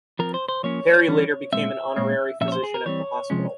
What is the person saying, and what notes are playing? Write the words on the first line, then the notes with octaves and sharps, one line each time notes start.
Perry later became an honorary physician at the hospital.
F3 C4 A#4
C5
C5
F3 A#3 C#4 C#5
E3 G3 C#4
A#2 G#3 C4 E5
A#2 G#3 C4
A#2 F3 A#3 C#4 E5
C#5
C5
G#4
A#4
E3 G3 C4 C#5
C3 F3 G#3 C#4